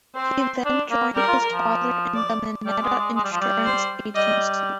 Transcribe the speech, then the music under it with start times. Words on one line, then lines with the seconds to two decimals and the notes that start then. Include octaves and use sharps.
He then joined his father in the Mineta Insurance Agency.
0.15 C4 C5
0.65 D4
0.90 A#3
1.15 G3 A#4
1.28 F4
1.52 F3
2.15 D5
2.65 G3 D5
2.82 G#3
2.98 G#3
3.16 G#3
3.24 G3
3.32 F3
3.41 G3
3.65 C5
4.15 G3 D#5